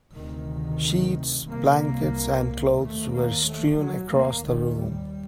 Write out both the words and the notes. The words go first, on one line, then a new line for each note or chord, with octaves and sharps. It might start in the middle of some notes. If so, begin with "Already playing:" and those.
Sheets, blankets, and clothes were strewn across the room.
D2 C3 D#3
C2 C3 A#3
D#2 A3
A#3
A3
F#3
D#2 A#3
D#3
G3